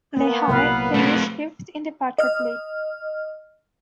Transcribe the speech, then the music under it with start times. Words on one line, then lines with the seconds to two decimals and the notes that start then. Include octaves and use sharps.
Lehigh finished fifth in the Patriot League.
0.17 F3 A#3 B3
0.48 C2 A#2 F#3 B4 F5
0.94 B1 A3 C4
2.18 D#5 F6